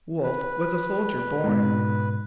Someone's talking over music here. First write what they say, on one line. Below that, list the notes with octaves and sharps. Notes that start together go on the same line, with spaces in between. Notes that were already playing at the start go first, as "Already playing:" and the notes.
Wolfe was a soldier born.
B4
G#2 B2